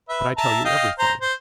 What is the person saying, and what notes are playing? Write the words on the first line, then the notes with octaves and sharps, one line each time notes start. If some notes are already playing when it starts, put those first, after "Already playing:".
"But I tell you everything."
B4 E5
E5 A5 A#5
D#5 F5 G5
C5 A#5
C5